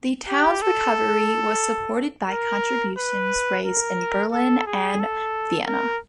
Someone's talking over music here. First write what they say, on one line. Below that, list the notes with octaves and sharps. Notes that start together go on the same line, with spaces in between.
The town's recovery was supported by contributions raised in Berlin and Vienna.
G4
A4
A#4
B4
A#4
A4
G#4
A4
A#4